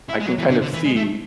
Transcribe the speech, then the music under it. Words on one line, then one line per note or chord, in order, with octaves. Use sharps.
I can kinda see
E4
G#3
F#3
E3
D3
D3
E3
G#3
A3